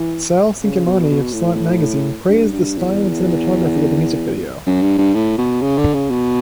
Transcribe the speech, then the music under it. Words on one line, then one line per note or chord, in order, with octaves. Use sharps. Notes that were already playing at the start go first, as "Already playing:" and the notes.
Sal Cinquemani of "Slant Magazine" praised the style and cinematography of the music video.
Already playing: E3
C#3
B2
B2
A2
G2
G2
E2
F#2
G2
G2
A2
B2
C#3
D3
C#3
B2